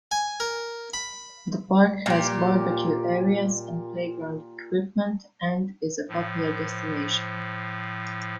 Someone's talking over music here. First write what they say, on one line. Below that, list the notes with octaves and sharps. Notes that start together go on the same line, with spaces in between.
The park has barbecue areas and playground equipment, and is a popular destination.
G#5
A#4
B5
A#2 G4
A2 F3